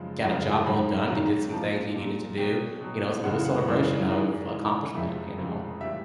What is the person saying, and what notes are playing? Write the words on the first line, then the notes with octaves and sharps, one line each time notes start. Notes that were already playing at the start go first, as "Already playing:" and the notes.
got a job well done, you did some things you needed to do, you know, it's a little celebration of accomplishment, you know?
Already playing: F#2 C#3 F3 G#3
F#2 C#3 F3 G#3
G#2 D#3 F#3 B5
G#2 D#3 F#3
A#2 F3 G#3 A5
A#2 F3 G#3
B2 F#3 G5
B2 F#3
F#2 C#3 E3 G#3 F#5
F#5
F#2 C#3 E3 G#3
G#2 E3 G#3
G#2 E3 G#3
F2 C3 F3 G#3 E5
F2 C3 F3 G#3
A2 E3 G3 E5